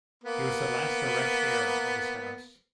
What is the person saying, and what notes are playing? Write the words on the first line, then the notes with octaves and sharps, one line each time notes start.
He was the last direct heir of his house.
A#3 B3